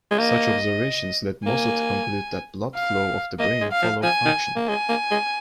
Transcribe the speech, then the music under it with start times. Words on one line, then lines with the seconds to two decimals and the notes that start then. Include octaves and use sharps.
Such observations led Mosso to conclude that blood flow of the brain followed function.
0.11 G#3
0.18 A#3 D#5
1.46 A#3 G#5
2.75 F5
3.39 A#3 D#5
3.61 G#3
3.72 F5
3.82 F3
4.03 F3 G#5
4.25 D#3
4.56 A#3
4.68 G#3 G#5
4.89 A#3
5.11 G#3